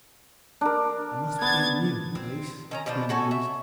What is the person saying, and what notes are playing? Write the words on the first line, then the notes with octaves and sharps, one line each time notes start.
"I must be getting near the place," he mused.
D4 A#4
B3 G#6 A6
C4
D#3 C#4 A#5
B2 F3 D4
C#4 F#4 A4 G#5
E5